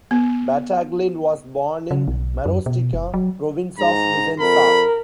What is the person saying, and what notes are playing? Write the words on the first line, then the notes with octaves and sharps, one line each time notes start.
Battaglin was born in Marostica, province of Vicenza.
B3
C#3
B1
F#2
B2
F#1
F#3
G#2 A#5
F2 A#4 B5